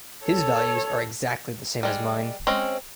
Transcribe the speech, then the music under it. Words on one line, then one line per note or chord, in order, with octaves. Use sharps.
His values are exactly the same as mine.
A4 C#5
G3 G#3
G#3 C4 C#4